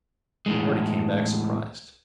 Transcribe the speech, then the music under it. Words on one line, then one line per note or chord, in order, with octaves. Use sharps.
Marty came back surprised.
E2 A2 G#3